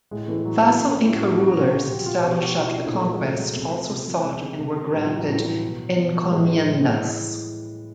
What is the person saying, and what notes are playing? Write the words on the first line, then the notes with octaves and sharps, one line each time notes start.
Vassal Inca rulers established after the conquest also sought and were granted "encomiendas".
A2 G#3
E3 A3
A2 F#3
F#3
E3 B3
A2 C4
C#4
F3
E4
A2 F#4
F3
F#4
A#2 F#4
F4
F3
G4
A#2 G4
F#4
F3
F4
B2 F#4
G4
F#4
B2 F4
E4
D4
A#2 D#4
A3
F3 F#3
G#3
A#2 A3
F3
C3
F3
C3
F3
C3 G#3
D#3
C3
D#3
A2 G3
F3
E3
F#3
A2
E3
B2
B2 F3
F#3
G3
A2 G#3
E3
A2